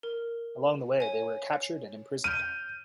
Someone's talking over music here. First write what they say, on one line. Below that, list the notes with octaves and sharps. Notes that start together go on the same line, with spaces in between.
Along the way, they were captured and imprisoned.
A#4
C#5 G#5
F6 G6 D#7